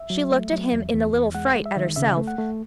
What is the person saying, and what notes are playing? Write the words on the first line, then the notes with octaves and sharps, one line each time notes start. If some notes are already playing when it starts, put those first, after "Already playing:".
She looked at him in a little fright at herself.
Already playing: E5
F#3
A3
F#3
E2
E2
E2
G#3 F#5
G#3
E5
D#3
C#3 E5
A3
F#5
A3